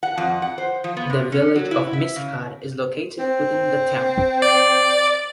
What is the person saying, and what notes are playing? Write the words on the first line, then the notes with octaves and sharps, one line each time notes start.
The Village of Mishicot is located within the town.
F#5
F2
F#5
C5
F3
B3
C3
C#4
F#3
E4
E5
C#3
C4
D5